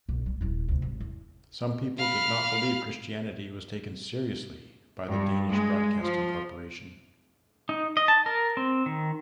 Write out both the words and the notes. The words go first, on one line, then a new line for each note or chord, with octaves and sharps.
Some people did not believe Christianity was taken seriously by the Danish Broadcasting Corporation.
B1 F#2
G3
D#1 E4
D2 C3
G#1
E2
F5 B5
G2
G#3
F3
D#4
D#5
A5
A#4
C4
D#3